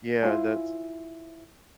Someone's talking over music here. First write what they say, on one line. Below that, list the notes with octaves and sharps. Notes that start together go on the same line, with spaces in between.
Yeah, that's
E4 F4 C5 G#5